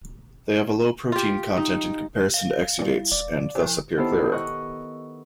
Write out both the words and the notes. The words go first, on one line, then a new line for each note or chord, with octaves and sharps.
They have a low protein content in comparison to exudates and thus appear clearer.
F4 G4
D#4
F5
G2 A#2 E4
D5
C3 F3 E4
D#3 B3 E4 G4 A4 C5
D#5 C#6 F#6